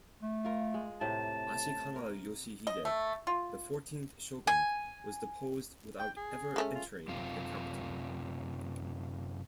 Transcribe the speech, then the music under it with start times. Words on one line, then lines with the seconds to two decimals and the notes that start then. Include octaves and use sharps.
Ashikaga Yoshihide, the fourteenth shogun, was deposed without ever entering the capital.
0.22 A3
0.45 F4 A#4
0.74 G#3
1.01 A2 C3 A5
1.96 A#4
2.67 D#5
2.85 A3
3.27 F4
4.47 G#5
6.00 G5
6.17 G#4
6.56 G#3 A3 C#4
6.75 F4
7.08 F#2 C3 F4